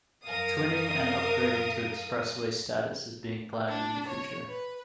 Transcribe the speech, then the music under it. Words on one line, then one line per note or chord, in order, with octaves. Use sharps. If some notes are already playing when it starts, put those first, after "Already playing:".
Twinning and upgrading to expressway status is being planned in the future.
F#2 A#4 F5 D#6
D4
C#5
B4